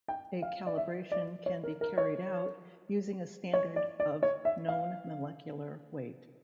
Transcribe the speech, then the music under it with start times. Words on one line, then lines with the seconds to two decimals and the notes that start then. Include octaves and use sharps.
A calibration can be carried out using a standard of known molecular weight.
0.08 G5
0.42 F5
0.67 D5
0.77 E5
1.12 D5
1.46 C#5
1.64 A#4
1.81 A#4
1.98 C#5
3.54 C#5
3.76 D5
4.00 D5
4.23 C#5
4.45 E5
4.68 F5